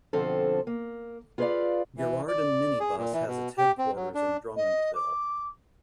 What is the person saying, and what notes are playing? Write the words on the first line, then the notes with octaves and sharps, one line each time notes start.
Girardin Minibus, has its headquarters in Drummondville.
F2 B2 D3 F3 C4 A4
A#3
F4 G#4 B4 C5 D5 F5
E3
D5
G#4
A#2
E3
B2
G4
C4
F#3
D4
D#5
D6